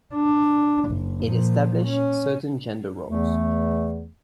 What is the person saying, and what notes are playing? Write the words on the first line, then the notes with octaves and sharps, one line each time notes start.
It established certain gender roles.
D4
F#1
A#2 F3
C#4
E2 E3 A3